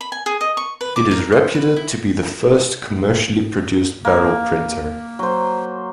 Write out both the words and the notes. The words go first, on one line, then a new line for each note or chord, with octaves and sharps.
It is reputed to be the first commercially produced barrel printer.
B5
G#5
G#4
D#5
C#6
B4
D6
A#4
C6
B4
E4
A#3
F#3 C5